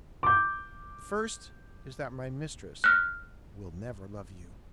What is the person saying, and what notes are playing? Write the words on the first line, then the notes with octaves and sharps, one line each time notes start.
"The first is that my mistress will never love you."
D6 G6
F6 F#6